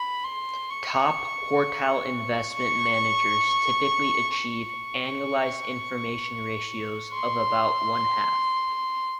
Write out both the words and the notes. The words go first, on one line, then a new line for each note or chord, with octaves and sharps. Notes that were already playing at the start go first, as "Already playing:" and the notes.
Top-quartile investment managers typically achieve annualized information ratios of about one-half.
Already playing: B5
C6
C#6
C#6
C#6
C6